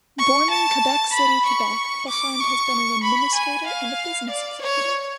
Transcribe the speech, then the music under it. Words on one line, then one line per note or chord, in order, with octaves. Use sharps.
Born in Quebec City, Quebec, Bachand has been an administrator, and a business executive.
C#6
A5
B5
C#6
D6
C#6
B5
G#5
F5
D5
C#5